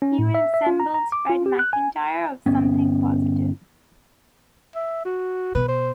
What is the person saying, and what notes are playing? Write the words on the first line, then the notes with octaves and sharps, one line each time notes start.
He resembles Fred MacIntire of "Something Positive".
C#4
A2
E5
E5
F4
A#5
A#5
D6
F4
G4
F#6
G#5
G1 B3 C#4
E5
F#4
B2 B4
C5